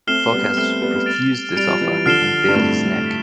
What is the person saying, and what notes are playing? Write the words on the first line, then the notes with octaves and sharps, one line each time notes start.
Phocas refused this offer and bared his neck.
A3 C4 F6 C7 E7 G7
G3 B3
A3 C4 F6 C7 E7 G7
G3 B3
A6 D7 F7
G3 A6 D7 F7
F3
E3 G3
D3 F3 F6 C7 E7 G7
G2
F2 A2 F6 C7 E7 G7
F6 B6